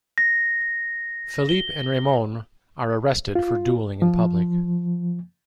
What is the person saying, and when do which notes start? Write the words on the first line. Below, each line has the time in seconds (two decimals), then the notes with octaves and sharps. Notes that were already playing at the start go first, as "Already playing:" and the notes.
Felipe and Ramon are arrested for dueling in public.
0.18 A#6
1.49 G7
3.35 F4
4.02 F3